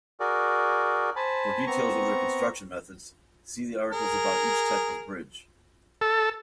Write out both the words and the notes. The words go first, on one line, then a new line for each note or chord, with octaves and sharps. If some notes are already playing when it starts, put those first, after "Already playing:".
For details of their construction methods, see the articles about each type of bridge.
F#4 G#4 A#4 D5
C5 G#5 A5 B5
B3 C4 A#5 C#6
G#4 A#4
A4